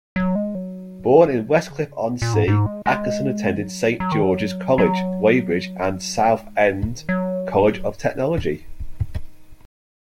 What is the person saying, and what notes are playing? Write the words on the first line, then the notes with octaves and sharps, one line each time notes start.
Born in Westcliff-on-Sea, Atkinson attended Saint George's College, Weybridge and Southend College of Technology.
F#3
G#3
F#3
C#3
A#2
A#2
G#2
G#2
G#3
G#3
D#3
F#3
F#3
D#3
F#3
F#3
G#3
C#3
D#3
F#3